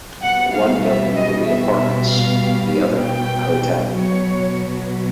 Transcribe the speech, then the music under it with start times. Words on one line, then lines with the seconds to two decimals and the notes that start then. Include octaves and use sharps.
One building will be apartments, the other a hotel.
0.21 B2 G3 F#5
0.52 F5
0.83 E5
1.14 D#5
1.45 E5
1.76 E5
2.08 F5
3.00 G5
3.93 B2 F#3 C#5